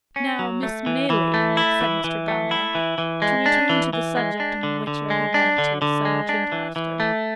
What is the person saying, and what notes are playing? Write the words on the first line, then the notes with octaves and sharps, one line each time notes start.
'Now, Miss Maylie,' said Mr. Brownlow, 'to return to the subject in which your humanity is so much interested.
C#4
F#3
A3
E3
E3
A3
E4
E3
E3
A3
E4
E3
E3
G#3
D4
E3
E3
G#3
D4
D3
D3
G#3
D4
D3
D3
G#3
D4
E3
E3
A3